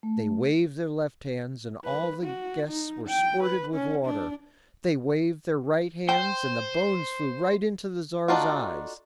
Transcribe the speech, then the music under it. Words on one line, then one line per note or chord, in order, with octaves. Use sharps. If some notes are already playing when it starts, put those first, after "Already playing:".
They waved their left hands and all the guests were squirted with water; they waved their right hands and the bones flew right into the Tsar's eyes.
A3
B4
F#4
D#4
G5
B4
C#4
D4
C5 G5
A3 D4 D#4 F4 F#4